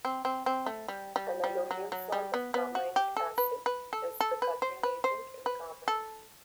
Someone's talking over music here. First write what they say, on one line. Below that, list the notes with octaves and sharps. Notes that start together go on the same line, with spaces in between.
An aluminum salt of carminic acid is the coloring agent in carmine.
C4
C4
C4
A3
G3
G3
G3
F#3
F#3
G3
B3
B3
F#4
G4
A4
B4
B4
A4
A4
B4
C5
B4
C5
B4
A4